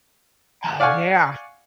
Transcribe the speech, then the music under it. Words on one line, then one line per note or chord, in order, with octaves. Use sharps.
Oh, yeah.
D5 F5 F#5 G#5 C#6